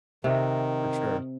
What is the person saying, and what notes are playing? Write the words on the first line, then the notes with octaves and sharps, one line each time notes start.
For sure.
C3 D#3